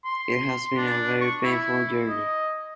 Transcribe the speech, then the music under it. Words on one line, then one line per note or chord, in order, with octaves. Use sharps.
It has been a very painful journey.
C6
D4
C#6
E4
D#5